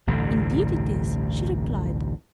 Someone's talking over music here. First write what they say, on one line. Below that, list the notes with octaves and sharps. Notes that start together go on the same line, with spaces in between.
"Indeed it is," she replied.
A1 D2 G2 C3